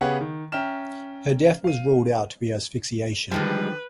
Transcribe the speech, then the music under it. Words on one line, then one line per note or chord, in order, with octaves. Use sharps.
Her death was ruled to be from asphyxiation.
C#3 B3 G4 G#4 C#5 F#5
D#3
C#4 E5 G5 A#5 F6 E7
F5 D#7
D3 D#3 F3 G3 G#3 B4